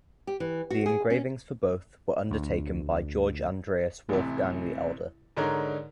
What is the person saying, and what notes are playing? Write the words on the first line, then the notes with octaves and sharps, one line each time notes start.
The engravings for both were undertaken by Georg Andreas Wolfgang the Elder.
G4
E3
F#4
G#4
C#4
D2
A1 C3
G#2 D3 D4 D#4 A#4 C#5